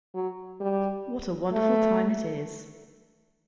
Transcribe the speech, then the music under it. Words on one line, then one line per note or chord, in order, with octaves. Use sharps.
What a wonderful time it is!
F#3
G3
A3